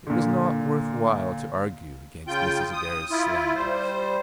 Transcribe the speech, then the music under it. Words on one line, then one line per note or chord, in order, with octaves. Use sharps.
It was not worth while to argue against Mrs. Adair's slanders.
A#2 D3
C#3 F4 G5 G6
D#6
E4 F4
G3 C5